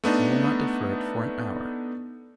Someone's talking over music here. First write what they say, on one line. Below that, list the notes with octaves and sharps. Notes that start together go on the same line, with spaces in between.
I will not defer it for an hour.'
A3 B3 D4 D#4